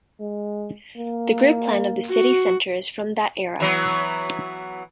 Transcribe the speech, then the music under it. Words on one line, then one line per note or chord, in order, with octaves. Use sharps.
The grid plan of the city center is from that era.
G#3
A#3
F#4
E3 F#3 B3